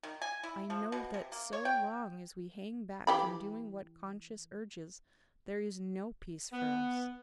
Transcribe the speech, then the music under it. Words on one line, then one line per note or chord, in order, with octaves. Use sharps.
I know that so long as we hang back from doing what conscience urges, there is no peace for us.
D#3
G#5
E4
F3
B2
C3
A#3
C#5
G5
E3 G4 B5
B3